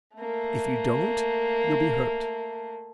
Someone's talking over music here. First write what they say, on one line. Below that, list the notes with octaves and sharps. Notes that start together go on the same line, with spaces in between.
If you don't you'll be hurt.
A3 A#3